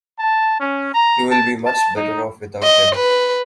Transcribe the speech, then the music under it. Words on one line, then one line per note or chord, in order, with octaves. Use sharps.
You will be much better off without him.
A5
C#4
A#5
A5
A5
D#4
D#5
B4